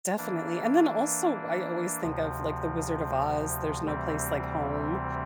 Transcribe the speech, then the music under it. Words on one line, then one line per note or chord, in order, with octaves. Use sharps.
definitely and then also, I always think of, like, the Wizard of Oz, "There's no place like home,"
E3 A#3 D4
D2 C3 F3
D2 C3 E3 G3 C4